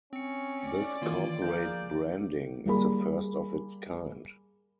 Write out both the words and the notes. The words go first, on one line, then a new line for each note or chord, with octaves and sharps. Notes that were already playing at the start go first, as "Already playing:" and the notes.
This corporate branding is the first of its kind.
C4 C#4 C#7
D5
D#3 E3 A#3 F4
F3 A#3 G#4 G6
G3 A#3 G#4 B5